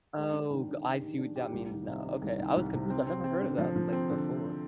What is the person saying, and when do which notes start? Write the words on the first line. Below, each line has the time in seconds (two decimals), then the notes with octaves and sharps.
Oh, go I see what that means now, okay, I was confused, I've never heard of that, like, before.
0.16 G#3
0.33 D4
0.51 D#3
0.68 D4
0.84 G4
1.02 D#3
1.18 D4
1.36 G4
1.53 C2
1.71 D#3
1.87 C3
2.05 D#3
2.22 C2
2.39 D#3
2.56 C2
2.73 C3
2.90 C4
3.07 C4
3.24 C4
3.42 D3
3.58 F3
3.76 F3
3.93 C4
4.10 D3